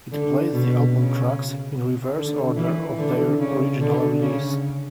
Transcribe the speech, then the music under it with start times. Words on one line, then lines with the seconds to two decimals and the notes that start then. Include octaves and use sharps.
It plays the album tracks in reverse order of their original release.
0.12 D3
0.53 B2
0.94 C#3
2.16 D3
2.57 E3
2.98 D3
3.39 C#3
3.80 D3
4.21 C#3